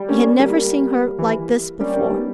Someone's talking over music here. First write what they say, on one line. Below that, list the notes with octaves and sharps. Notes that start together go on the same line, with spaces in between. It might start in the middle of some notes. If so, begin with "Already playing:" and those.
He had never seen her like this before.
Already playing: G3
A#3 C#4
G3 A#3
G3 A#3
E3
G3 A#3 C#4
A#3 C#4
B3 D#4